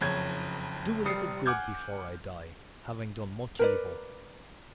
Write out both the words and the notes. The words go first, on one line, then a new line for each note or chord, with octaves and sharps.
'To do a little good before I die, having done much evil.
F#1 F2 C#5 G#6
F1 G3 D#6 C7 C#7
F#5 G#5 D6 F6 G6 G#6
A#4 B4 D5